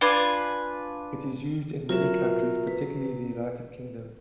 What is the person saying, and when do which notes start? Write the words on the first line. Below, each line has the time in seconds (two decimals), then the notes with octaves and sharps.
It is used in many countries, particularly the United Kingdom.
0.01 D4 F4 B4 G#5
1.89 F#3 F4 A#4 E5
2.67 B4